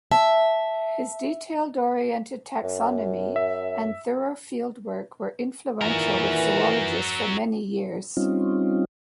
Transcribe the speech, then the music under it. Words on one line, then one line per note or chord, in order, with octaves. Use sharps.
His detail-oriented taxonomy and thorough field work were influential with zoologists for many years.
E5 A5
F#2
E5
D#2 A#2 E3 F#4 A#4
G3 C4 C#4 D#4 F4